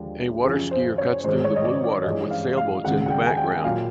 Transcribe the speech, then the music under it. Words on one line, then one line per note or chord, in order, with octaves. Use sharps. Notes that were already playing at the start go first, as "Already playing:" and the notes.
A waterskier cuts through the blue water with sailboats in the background.
Already playing: D#2 D3 F3 G#3
F#2 C#3 F3 G#4
C5
C#5
G#2 D#3 G#3 C5
C#5
D#5
D5
D5
G2 E3 G#3 D#5
F5
F5
C#2 C3 D#3 G#3 F#5
F#5
G5
G#5
G5
A#2 F#3 A#3 F5